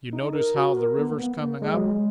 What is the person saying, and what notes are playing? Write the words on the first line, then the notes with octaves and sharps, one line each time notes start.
Yuh notice how the river's coming up?
D#4
A#4
F#4
A#4
B3
A#3
B3
A#3
G#3
F#3
G#3